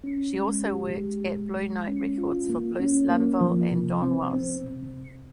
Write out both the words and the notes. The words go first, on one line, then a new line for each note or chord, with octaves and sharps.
She also worked at Blue Note Records for Bruce Lundvall and Don Was.
C#4
G#3
G4
G#3
G#3
G#3
C#4
F4
A#3
C#4
A#3
F3
C3
C4
C4
C3